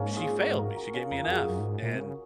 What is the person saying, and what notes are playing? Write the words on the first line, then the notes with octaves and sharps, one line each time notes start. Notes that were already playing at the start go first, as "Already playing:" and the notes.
She failed me, she gave me an F, and,
Already playing: G#2 A#3 C#4
F4 G#4
F#4 A#4
F#4 A#4
F#4 A#4
C#4 F4
F2 A#4
F2 G#4
F#2 F#4 A#4
F#2
G#2
A#2
C3
C#3